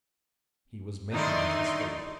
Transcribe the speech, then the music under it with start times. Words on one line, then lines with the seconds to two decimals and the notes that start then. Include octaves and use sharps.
He was making his escape.
1.12 D3 D#3 D#4 E4 D5 C6